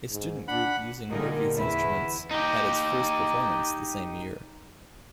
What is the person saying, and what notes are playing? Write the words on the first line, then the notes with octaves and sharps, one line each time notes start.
A student group using Murphy's instruments had its first performance the same year.
G#2
D4 F#5 B5
A#2 D3 G3 D#4 G#4 A#4
E2 E4 B4
D#4 G4